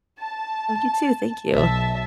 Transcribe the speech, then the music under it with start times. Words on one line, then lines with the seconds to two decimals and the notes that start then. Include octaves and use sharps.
Oh, you too, thank you.
0.20 A5
1.52 B1 E5 A5